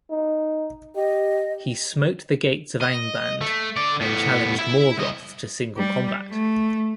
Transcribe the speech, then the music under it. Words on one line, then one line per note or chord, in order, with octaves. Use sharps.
He smote the gates of Angband and challenged Morgoth to single combat.
D#4
G4 D#5
D#5
A3
D3 D5
A2 B3
E4 E5
C2 D#5
G3
A3